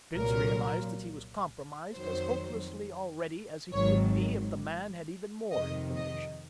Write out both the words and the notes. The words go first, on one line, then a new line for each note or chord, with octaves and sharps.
Bince realized that he was compromised as hopelessly already as he could be if the man had even more information.
C2 A#2 F#3 A#4
F2 D#3 F#3 C5
G#1 G#2 D#3 F#3 C#5
F2 C3 D#3 D#5
D#5